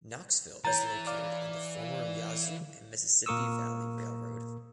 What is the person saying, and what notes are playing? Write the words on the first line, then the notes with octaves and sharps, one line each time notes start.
Knoxville is located on the former Yazoo and Mississippi Valley Railroad.
E3 C#5 A#5 A6
D5 F5
A#2 A#3 A#4 C#6 D#6 E6